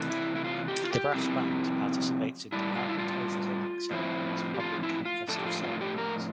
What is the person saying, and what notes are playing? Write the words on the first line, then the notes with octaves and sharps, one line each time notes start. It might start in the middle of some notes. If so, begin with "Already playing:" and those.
The brass band participates in department oath taking ceremonies public and festive ceremonies.
Already playing: C3 E3 A3
E4
E4
F4
G4
F4
G4
C3 F3 C4 E4
A2 G3 D4 E4
F4
E4
F4
A2 F3 C4 E4
G4
F4
E4
F4
A2 F3 A3 D4 A4
G4
F4
F4
G4
A#4